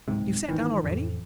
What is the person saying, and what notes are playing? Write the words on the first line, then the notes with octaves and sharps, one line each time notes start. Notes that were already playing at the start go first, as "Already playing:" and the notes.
You've sat down already?
D1 G#2 C3
G#1 D#3 E3
A1 F2